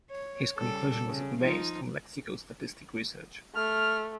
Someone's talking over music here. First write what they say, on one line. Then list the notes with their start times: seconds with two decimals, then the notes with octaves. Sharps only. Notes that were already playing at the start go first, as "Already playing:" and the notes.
His conclusion was based on lexicostatistic research.
0.10 C#5
0.58 C#3 G3 A4
1.06 C#3
1.39 F3 D#4 F4
3.55 A3 F6